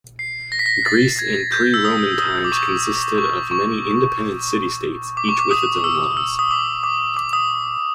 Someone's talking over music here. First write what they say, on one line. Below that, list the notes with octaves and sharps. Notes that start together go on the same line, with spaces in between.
Greece in pre-Roman times consisted of many independent city-states, each with its own laws.
C7
A#6
B6
A#6
A6
G#6
G6
E6
D#6
D#6
D6
C#6
C#6
C#6
D6
C#6
D6
D#6
E6
E6
D#6
D6
D6
D6
D#6